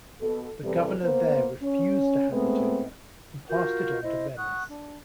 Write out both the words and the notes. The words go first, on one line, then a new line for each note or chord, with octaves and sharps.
The governor there refused to hand it over, and passed it on to Venice.
B2 A4
E2 C3 E3 G3 A4
A#3 B3 C5
C#4
G#3 A3 B3 C4
F4 F#4 A#4 G6
E4 C5 D#5
F#5 C#6 D#6 F#6
D4